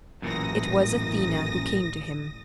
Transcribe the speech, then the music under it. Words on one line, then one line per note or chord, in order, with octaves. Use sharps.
It was Athena who came to him.
A1 F#2 A#2 E3 D#6 A#6